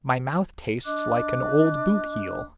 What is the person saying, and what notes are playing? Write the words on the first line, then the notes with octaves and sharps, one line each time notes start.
My mouth tastes like an old boot heel.
D4 D#5 D6 F#6